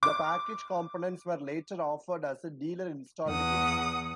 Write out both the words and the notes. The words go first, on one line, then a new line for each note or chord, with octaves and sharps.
The package components were later offered as a dealer installed kit.
D6
E2 F#5 D#6